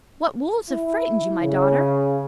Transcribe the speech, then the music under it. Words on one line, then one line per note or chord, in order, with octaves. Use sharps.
What wolves have frightened you, my daughter?
E4
C#3